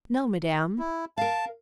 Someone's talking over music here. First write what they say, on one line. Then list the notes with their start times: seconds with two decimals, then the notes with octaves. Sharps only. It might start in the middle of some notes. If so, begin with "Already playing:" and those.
"No, Madame."
0.79 E4
1.18 A#4 F5 A5